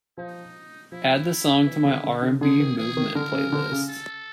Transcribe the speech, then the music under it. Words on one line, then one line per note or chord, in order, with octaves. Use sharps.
Add the song to my R&B Movement playlist.
F3 D#4
F3 E4
E3
D3
D3
D3
D3 G#4
D#3
E3 G#4
D#3
D3 A#4
C#3
D3
C#3
A4